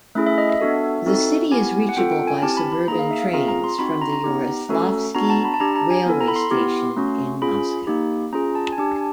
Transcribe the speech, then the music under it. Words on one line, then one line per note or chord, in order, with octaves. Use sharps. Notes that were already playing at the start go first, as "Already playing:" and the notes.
The city is reachable by suburban trains from the Yaroslavsky railway station in Moscow.
A3 C#4 E4 G#4 E5
E5
D#5
E5
B3 D4 F#4 A4
C4 D#4 F#4 A4
B3 E4 G4 G#5
F#5
C4 F4 A4 G5
G5
G#5
C4 E4 G4 A5
B5
B5
A#3 D#4 G#4 A#5
F5
E5
F5
C4 F4 G#4 A#5
A#5
C6
C4 D#4 F#4 B5
C6
A#5
A#5
B3 D#4 G4
A3 C#4 F#4 A4
B3 D4 F#4 A#5
A#5
A5
B5
A5
D4 G4 A#5
A#5
G#5
B3 E4 A4
A#5
B5
C6
B3 E4 G4
A3 C#4 F#4
C#4 F4 G#4 B5
A#3 D#4 G4
C#4 F4 G#4 A#5
A5
G#5
D4 G4 A5